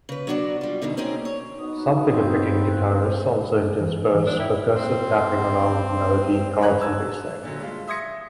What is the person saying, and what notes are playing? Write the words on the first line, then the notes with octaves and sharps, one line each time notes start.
Some fingerpicking guitarists also intersperse percussive tapping along with the melody, chords and bassline.
C#3 B4
F#3 B3 D4 F#4 D5
G3 F4
F2 B2 D3 D#4
A#3 C4 C#4 D#4 G#4
C#5
B3 D#4 F#4 D#6
G2 C4
F#6
C2 A2 C5
E3
E3
E2 F3 D4 C5
E4 C#5 G5
C4 C5
A#4 C#5 D#5 B5 F#6
G#5 A5 E6 G#6
A#2 D3 F#3
G3 G#3 F4
E5 C6 D#6 G#6 A#6 C#7